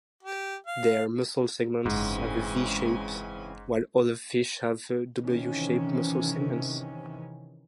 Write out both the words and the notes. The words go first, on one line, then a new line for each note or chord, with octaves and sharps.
Their muscle segments have a "V-shape", while other fish have "W-shaped" muscle segments.
G4
F5
F#1 G#2 C#3 E3 G#3 C4 C#4 G#5
C3 D#3 E3 C#4